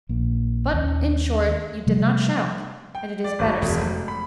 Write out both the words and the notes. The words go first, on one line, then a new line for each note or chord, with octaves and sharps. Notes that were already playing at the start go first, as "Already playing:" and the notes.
But, in short, you did not shout, and it is better so.
A#1 A#3
D#2 C#4
C3 F3 G3 A3
G5
D5
G#1
E1
F1
B5